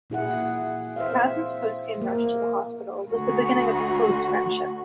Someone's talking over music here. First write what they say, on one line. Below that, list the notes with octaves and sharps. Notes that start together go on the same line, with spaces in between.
Madden's post-game rush to the hospital was the beginning of a close friendship.
A#2 E4 G#4 F#5
C5 E5 F5
A#3
D2 F#4